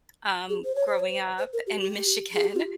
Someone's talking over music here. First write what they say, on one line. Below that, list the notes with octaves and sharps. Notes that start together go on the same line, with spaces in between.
um, growing up in Michigan
G#4
C5
C#5
C5
C#5
C5
C5
A#4
G4
G4
G#4
G4
F4